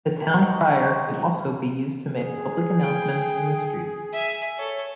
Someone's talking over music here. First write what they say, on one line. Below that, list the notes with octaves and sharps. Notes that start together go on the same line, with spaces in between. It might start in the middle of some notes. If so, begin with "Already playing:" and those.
The town crier can also be used to make public announcements in the streets.
C5 D#5 F#5 G5 A#5 C#6
G#4
G5
E5 G#5
A4 C#5